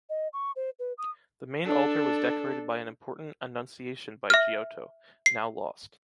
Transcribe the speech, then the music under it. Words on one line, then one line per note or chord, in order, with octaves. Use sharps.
The main altar was decorated by an important “Annunciation” by Giotto, now lost.
D#5
C#6
C5
B4
D#6
D4 A4
E5 F6
C7